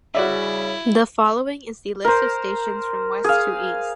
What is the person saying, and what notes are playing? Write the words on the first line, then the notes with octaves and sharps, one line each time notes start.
The following is the list of stations from west to east.
C#3 G3 E4 F#4 D5 E5
A#4 C5
G#4 F5